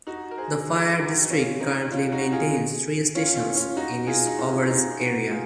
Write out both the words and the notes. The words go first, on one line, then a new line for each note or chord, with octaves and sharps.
The fire district currently maintains three stations in its coverage area.
D#4 F#4
A#4
G#4 C5
D#4 F#4
D#4
C#4 F4
C4 D#4
C#4 F4
D#4 F#4
F4 G#4
C#4 F4
C#4 F4
C#4 F4
D#4 F#4
F4 G#4
D#4
C#4 F4
F4
C4 D#4
D#4 F#4
F4 G#4